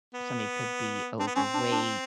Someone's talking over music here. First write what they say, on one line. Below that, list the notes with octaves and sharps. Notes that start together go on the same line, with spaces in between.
Somebody could be overweight.
B3
C4 D4
B3
C4 C#4
D4
D4